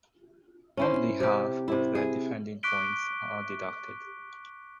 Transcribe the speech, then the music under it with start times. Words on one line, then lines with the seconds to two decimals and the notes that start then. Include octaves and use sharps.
Only half of their defending points are deducted.
0.77 C#4 E4 C5
1.20 C3 G4
1.68 C3 E4
1.95 G#4
2.63 C#6 D6 F#6 B6 D7 G7